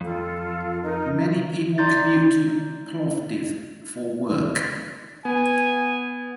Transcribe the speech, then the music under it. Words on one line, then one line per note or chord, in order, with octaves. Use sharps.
Many people commute to Plovdiv for work.
F2 F4 A4
D#4 A#4
D5 A#5 C6 G6 A6
B3 G#5